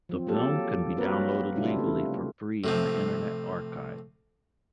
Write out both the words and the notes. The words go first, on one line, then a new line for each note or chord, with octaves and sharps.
The film can be downloaded legally for free on the Internet Archive.
F3 C4
F#3 A#3 G4 A4
F#3 A#3 C4 F#4 A#4 B4
C3 G3 D4 E4 F4
C#3 A3
A2 C3 F3